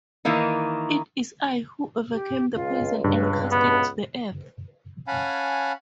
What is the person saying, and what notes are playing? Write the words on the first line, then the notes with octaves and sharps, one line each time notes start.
It is I who overcame the poison and cast it to the earth.
D#3 E3 A#3 D#4
G4
C#2 F4
G2 B4
B3
C#4 F5 F#5 G#5 A5 B5